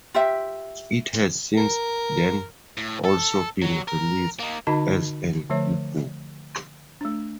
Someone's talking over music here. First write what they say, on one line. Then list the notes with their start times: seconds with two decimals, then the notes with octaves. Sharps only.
It has since then also been released as an ebook.
0.14 F4 G4 E5
1.57 A#4
2.77 A2
3.05 A4
3.62 F#3
3.88 A#4
4.40 A#3 D#4
4.67 D3 D#4 F#4 D#5 A5 B5
5.49 D3 F3 A3 C#5 E5
7.01 A3 D4